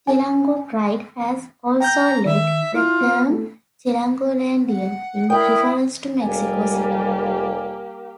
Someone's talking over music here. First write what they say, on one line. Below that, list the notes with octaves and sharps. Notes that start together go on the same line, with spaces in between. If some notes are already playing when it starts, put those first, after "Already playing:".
"Chilango pride" has also led the term "Chilangolandia" in reference to Mexico City.
G#5
G5 A#5 G6
D#3 E5
E4 F4
C4
A3
F#5
E4 A#4 G5 B5 D#6
F1 G3 A#3 G4 G#5